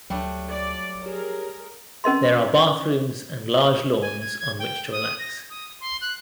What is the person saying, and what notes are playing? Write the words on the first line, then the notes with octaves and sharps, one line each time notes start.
There are bathrooms and large lawns on which to relax.
D2 F#3 G3 A3 D4
D5
G4 G#4 A#4 C#5
C#4 A#4 D#5 C6
G#5
G#6
G#6
G5
D#6
A#6
D#6
C6
F#6